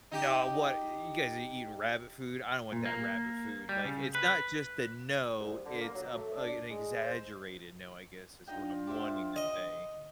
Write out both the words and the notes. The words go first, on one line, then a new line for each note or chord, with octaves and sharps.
"No, what? Y You guys are eating rabbit food? I don't want that rabbit food." Like, it's not just a "no." It's, uh, an exaggerated "no," I guess, is what I'm wanting to say.
D#4 G4
A#2
A#3
G3
C#3
B4
C2
D3
A#3
F#3
A3
D4
G#3
C5
D4 D#4 F4 D#5 G5
G4 C5 E5
D#5